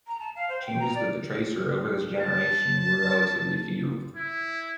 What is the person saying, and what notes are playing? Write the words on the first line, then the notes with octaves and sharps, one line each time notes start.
Changes to the Tracer over this generation were relatively few.
A#5
A5
F5
C5
G5
A#5
D5
A5
E4